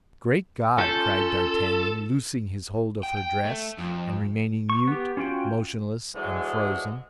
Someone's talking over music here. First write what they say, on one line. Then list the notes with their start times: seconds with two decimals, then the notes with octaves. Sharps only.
"Great God!" cried d'Artagnan, loosing his hold of her dress, and remaining mute, motionless, and frozen.
0.78 C#4 F4 A4 G6
3.03 G5
3.17 G5
3.45 A3
3.78 F2
4.70 C#6
4.87 B3 G4
5.17 C#4 F4 F#4 G5
6.15 G#2 D3 E3 F#3 G#3